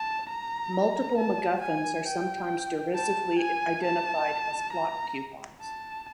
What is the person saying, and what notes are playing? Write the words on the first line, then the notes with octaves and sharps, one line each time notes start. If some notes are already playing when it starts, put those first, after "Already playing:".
Multiple MacGuffins are sometimes derisively identified as plot coupons.
Already playing: A5
A#5
A5
G#5
G5
A5
G#5
A5
A#5
A5